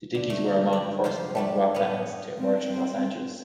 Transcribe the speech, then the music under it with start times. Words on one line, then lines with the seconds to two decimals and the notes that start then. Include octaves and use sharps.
The Dickies were among the first punk rock bands to emerge from Los Angeles.
0.15 D3
0.30 A3
0.73 D5
1.04 F2 C3 F4 C5
1.35 G3 A3 D4
1.75 A2 B3 C#4 C#5
2.40 C4